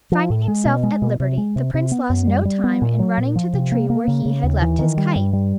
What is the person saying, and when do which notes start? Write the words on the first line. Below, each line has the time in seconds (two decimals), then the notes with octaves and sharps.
Finding himself at liberty, the Prince lost no time in running to the tree where he had left his kite.
0.12 F3
0.30 A2
0.48 G#3
0.65 B2
0.83 G#3
1.02 B2
1.20 C3
1.38 G#3
1.56 C3
1.74 C3
1.92 B3
2.10 F#2
2.27 G3
2.45 G3
2.64 B3
2.82 A#2
2.99 F#3
3.18 A#2
3.36 F3
3.53 C3
3.72 A#3
3.90 A#3
4.08 C#3
4.25 C#3
4.43 D#2
4.62 E3
4.79 D#3
4.97 G3
5.16 G2
5.33 G3